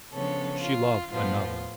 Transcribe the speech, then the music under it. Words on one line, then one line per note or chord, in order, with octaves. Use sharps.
She loved another.
C#3 F3 B3 D4 A4 C#5
F4
A2 F3 B3 F4